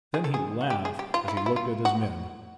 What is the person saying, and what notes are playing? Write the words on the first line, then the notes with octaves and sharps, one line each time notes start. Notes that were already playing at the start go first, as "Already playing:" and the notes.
Then he laughed as he looked at his men.
G#4
A4
G#4
F#4
G4
G#4
G4
F4
E4
F4
E4
F4
F#4